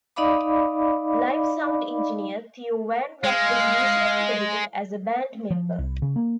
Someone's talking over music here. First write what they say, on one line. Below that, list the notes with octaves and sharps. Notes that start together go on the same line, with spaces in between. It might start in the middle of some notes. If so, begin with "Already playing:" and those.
Live sound engineer Theo Van Rock was usually credited as a band member.
D#4 D5 D#5 F5 B5 D6
G#3 F5
F3
C2
C#3
A#3